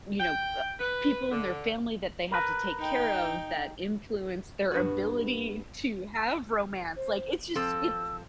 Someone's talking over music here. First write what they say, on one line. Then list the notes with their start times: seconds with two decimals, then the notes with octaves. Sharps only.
You know, uh, people in their family that they have to take care of that influence their ability to have romance, like, it's just it's
0.20 G5
0.80 B4
1.31 D3
2.32 A#4 B4
2.79 D#4 G5
4.71 G2 B3 F#4
6.96 C5
7.55 F3 C4 A4 E6